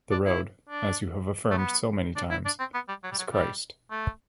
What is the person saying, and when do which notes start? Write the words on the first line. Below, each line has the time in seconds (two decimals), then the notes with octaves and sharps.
The road, as you have affirmed so many times, is Christ.
0.11 D4
0.26 E4
0.69 D4
1.50 A3
1.57 B3
2.16 D4
2.30 E4
2.45 D4
2.59 C4
2.74 B3
2.88 G3
3.03 F#3
3.11 G3
3.19 F#3
3.33 G3
3.91 A3